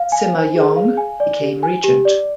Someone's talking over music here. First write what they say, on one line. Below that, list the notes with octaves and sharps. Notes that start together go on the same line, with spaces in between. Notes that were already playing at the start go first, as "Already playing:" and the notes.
Sima Yong became regent.
Already playing: F5
G#5
C5
G#4
F5
G#5
D5
G4
G#5
G4
D5